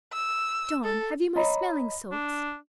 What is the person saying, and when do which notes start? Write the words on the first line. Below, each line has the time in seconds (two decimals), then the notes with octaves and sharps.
John, have you my smelling salts?
0.13 E6
0.84 A4
1.35 C#5 D#5 A#5 B5
2.12 D4